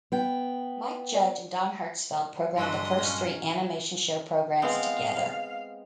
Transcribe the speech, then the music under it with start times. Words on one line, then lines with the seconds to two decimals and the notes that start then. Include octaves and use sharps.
Mike Judge and Don Hertzfeldt programmed the first three "Animation Show" programs together.
0.12 B3 G5
1.15 D5
2.57 G2 E3 F#3 G#3 D4 B4 D#5 C6
2.98 A#2 C#4
4.62 G#3 B3 C4 F5